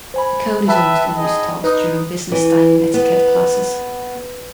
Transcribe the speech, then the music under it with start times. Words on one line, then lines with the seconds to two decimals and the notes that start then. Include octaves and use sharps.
The code is almost always taught during business dining etiquette classes.
0.14 C5 G#5 B5
0.68 B4 E5 G5 A5 B5
1.17 D#4 G#4 D#5
1.64 D#4 B4 D#6
2.32 E3
2.94 B3